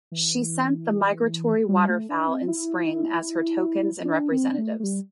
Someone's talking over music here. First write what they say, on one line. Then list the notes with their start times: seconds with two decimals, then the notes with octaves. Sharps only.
She sent the migratory waterfowl in spring as her tokens and representatives.
0.11 E3
1.69 G3
1.89 A3
2.09 D4
2.28 C4
2.48 E4
4.05 D4
4.31 C4
4.58 A3
4.80 A3
4.83 G3